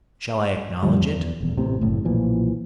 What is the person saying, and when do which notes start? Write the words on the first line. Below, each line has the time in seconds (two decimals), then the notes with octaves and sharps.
Shall I acknowledge it?
0.83 F#2 D3 F3 G3
1.02 E2
1.40 D#1 E2
1.57 A1 A2 C3
1.81 F#1 A2
2.05 B1 A#2 E3 F3